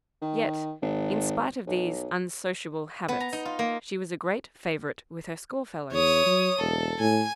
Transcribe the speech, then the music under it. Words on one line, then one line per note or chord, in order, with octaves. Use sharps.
Yet, in spite of these unsociable habits, she was a great favourite with her school-fellows.
D#3
G#1
B1
B3
A#5
D#4
F4
A#3
E2 C#5 D#6
F#3
E1 A4
A2 G#5